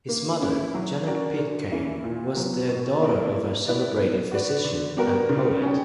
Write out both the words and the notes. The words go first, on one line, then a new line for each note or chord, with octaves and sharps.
His mother, Janet Pitcairn, was the daughter of a celebrated physician and poet.
A#3
C#4 E4
F#3
C#4 F#4 A#4 D5
D3
A#3 C#4 E4
A#2
F#3 B3
B2
A#3 E4 A#4 D5
A#3
E4 B4 D5
B3
F#4 B4 D5
D3
G3 B3 F#4 A#4
C#3
G3 C#4